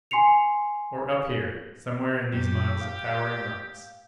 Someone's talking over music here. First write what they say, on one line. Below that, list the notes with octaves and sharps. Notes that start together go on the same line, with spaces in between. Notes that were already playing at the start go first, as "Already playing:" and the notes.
Or up here, somewhere in these miles of towering rocks?
G#5 C6 C7 C#7 F7
F#2 A#2 G4
F5